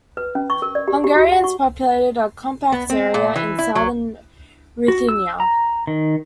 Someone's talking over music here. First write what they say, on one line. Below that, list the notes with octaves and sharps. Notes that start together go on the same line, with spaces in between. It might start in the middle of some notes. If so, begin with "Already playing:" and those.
Hungarians populated a compact area in southern Ruthenia.
B4
C#4
C#6
A#4
D5
G4
G4
F#4
F#5
C#6
B3
C4
A#2
E3
E4
F#3
F#4
E6
A#5
D#3